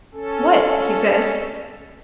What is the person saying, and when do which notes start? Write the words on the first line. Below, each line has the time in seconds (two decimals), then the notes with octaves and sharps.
"What?" he says.
0.14 C#4 A4